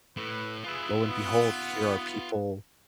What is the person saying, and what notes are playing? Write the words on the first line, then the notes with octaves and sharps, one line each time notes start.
lo and behold, here are people,
A2 B4
F4 G#4 B4 E5
B3